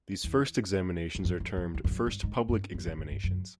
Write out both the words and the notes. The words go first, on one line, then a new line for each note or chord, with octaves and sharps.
These first examinations are termed "First Public Examinations".
E2
F2
F#2
F2
F2
E2
F2
F#2
G2
G#2
G2
F#2
G2
G#2
G2
F#2